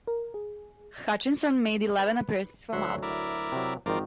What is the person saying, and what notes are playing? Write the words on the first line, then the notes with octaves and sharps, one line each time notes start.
Hutchinson made eleven appearances for Malta.
A#4
G#4
B4
D2 F#3 E5 F#5 C6
E4 A#4 D5
C3 F#3
G#1 D#3 F3 A#4 D5